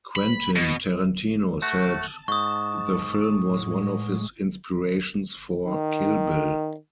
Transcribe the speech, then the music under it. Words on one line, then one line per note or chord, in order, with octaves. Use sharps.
Quentin Tarantino said the film was one of his inspirations for "Kill Bill".
B5
B2
A3 F#4 A5
G#2 C#6 D#6
A2 G#3
D#3